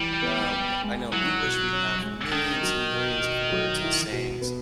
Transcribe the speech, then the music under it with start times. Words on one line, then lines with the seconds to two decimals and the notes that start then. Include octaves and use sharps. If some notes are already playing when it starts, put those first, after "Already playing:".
Um, i I know English we have millions and millions of words and sayings,
Already playing: E3 G3
0.22 B3
0.53 B3
0.83 G#3
1.12 F#3 E4
1.43 B2
1.72 C#4
2.02 G#3
2.32 D#3 D4
2.62 F#3
2.92 B2
3.22 B2
3.52 F#3
3.82 E4
4.12 B2
4.41 B3